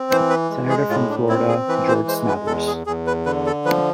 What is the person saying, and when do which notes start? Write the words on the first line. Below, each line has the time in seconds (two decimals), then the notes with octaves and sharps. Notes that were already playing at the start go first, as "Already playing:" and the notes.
Senator from Florida, George Smathers.
Already playing: C4
0.10 E3 C5
0.30 B4
0.50 G#3
0.69 G#4
0.89 A2 F4
1.10 D4
1.29 C4 E4
1.48 G#4
1.68 E3 B4
1.88 C5
2.08 G#3 C5
2.27 B4
2.47 E2 A4
2.67 G#4
2.86 E2 G#4
3.07 B4
3.26 D3 B4
3.46 A4
3.65 F3 B4